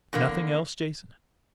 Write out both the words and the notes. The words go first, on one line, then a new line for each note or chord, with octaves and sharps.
"Nothing else, Jason?"
E2 D3 A#3